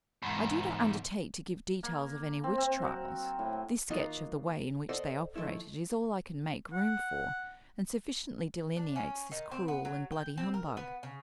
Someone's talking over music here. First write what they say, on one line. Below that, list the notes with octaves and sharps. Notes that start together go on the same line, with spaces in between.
I do not undertake to give details of any witch trials; this sketch of the way in which they operated is all I can make room for, and sufficiently delineates this cruel and bloody humbug.
E2 G#2
A#3
C4
C4
F#3
A2
D#3 A#3 D#4 F4 F#4 D#5
A4 C5 D5 D#5 F#5
D#3 F3 A3 E4
F#5
D4
C#4
D#3
C4
B3
F#3
G5
C4
A#4
B3
C#3